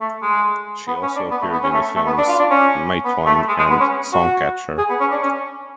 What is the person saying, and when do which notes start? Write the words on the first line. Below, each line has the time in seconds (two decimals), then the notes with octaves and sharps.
She also appeared in the films "Matewan" and "Songcatcher".
0.01 A3
0.22 G#3
0.87 B3
1.02 C#4
1.16 D4
1.31 B3
1.42 A3
1.52 B3
1.63 C#4
1.74 A3
1.96 A3
2.07 B3
2.18 D4
2.28 F4
2.39 D4
2.51 C#4
3.05 B3
3.26 A3
3.48 G#3
3.59 G#3
3.70 B3
3.80 C#4
4.13 F#4
4.78 G#4
4.90 B3
5.00 C#4
5.11 D4
5.22 C#4